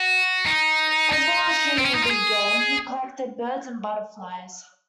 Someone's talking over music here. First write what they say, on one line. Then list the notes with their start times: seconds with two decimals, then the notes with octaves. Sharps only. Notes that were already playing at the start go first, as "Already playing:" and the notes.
As well as shooting big game, he collected birds and butterflies.
Already playing: F#4
0.46 D#4
1.12 D#4
1.78 C4
1.85 C#4
1.95 D#4
2.02 F4
2.10 G#4